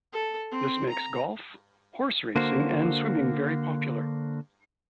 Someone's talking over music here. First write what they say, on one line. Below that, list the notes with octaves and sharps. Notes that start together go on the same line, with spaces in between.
This makes golf, horse racing and swimming very popular.
A4
C4
A#5
D3 A#3 F#4 C5